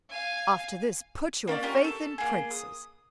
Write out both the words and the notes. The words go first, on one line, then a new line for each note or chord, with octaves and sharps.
After this, put your faith in princes!'
F5 G#5
A#3 C#4 D4 D5
C#4 F4 G4 A#4
A4
A#3 G#4
D#6